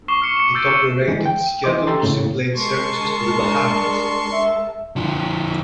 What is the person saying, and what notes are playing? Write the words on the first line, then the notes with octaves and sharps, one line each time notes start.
It operated scheduled seaplane services to the Bahamas.
C#6 D6 C7 E7 G7
F6 C7 C#7 E7
C#7 E7
D6 E6 G6 A6 D7 D#7
D#7
D3 E3 G#3
G5
E3 D#5 C6 D6
G4 A4 G5 A5 A#5 C6
A2 C#3
G#3 A#4 A5 C6 C#6
D4
E5
D3 F3